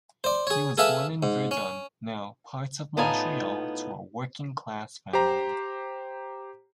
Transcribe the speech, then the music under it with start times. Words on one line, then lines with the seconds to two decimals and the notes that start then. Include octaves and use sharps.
He was born in Verdun, now part of Montreal, to a working-class family.
0.24 C5 D5
0.47 G#4 C#5
0.78 G#4 A4 B4 E5 F5 A5
1.23 G#2
1.51 C#4
2.97 A2 B3 D#4 F4 G#5 A5
5.13 G4 C5 A#5